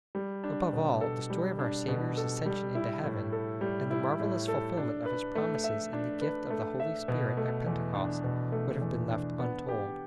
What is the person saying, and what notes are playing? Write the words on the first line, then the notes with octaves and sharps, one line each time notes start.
Above all, the story of our Saviour's ascension into Heaven, and the marvellous fulfilment of His promises in the gift of the Holy Spirit at Pentecost, would have been left untold.
G3
D4
B2
A4
G3
D4
B2
A4
G3
E4
A2
A4
G3
E4
A2
A4
D4
B4
A3
E5
D4
B4
A3
E5
B2
A3
E2
D4
B2
A3
E2
D4
B3
G4